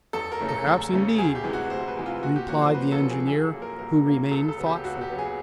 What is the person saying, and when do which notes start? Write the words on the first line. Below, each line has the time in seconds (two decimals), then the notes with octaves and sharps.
"Perhaps, indeed," replied the engineer, who remained thoughtful.
0.13 E2 A4
0.32 A#4
0.40 C#3 E3 A3 C#4
0.49 A4
0.67 E2
0.92 C#3 E3 A3 C#4
1.18 D2 G#4
1.35 G4
1.44 C3 E3 G#3
1.53 F#4
1.70 D2 C5
1.88 B4
1.97 C3 E3 G#3
2.06 F4
2.23 A#2 F#4
2.36 G4
2.48 F3 A#3 C#4 F#4
2.61 C5
2.74 A#2 B4
2.92 A4
3.00 F3 A#3 C#4
3.10 G#4
3.27 C2 G#4
3.45 A4
3.53 A#2 F#3 A#3
3.62 A#4
3.79 C2 A#4
4.06 A#2 F#3 A#3
4.31 C#2 A4
4.48 A4
4.57 C#3 F#3 B3
4.66 G4
4.84 C#2 F#4
5.01 G4
5.10 C#3 F#3 B3
5.19 G#4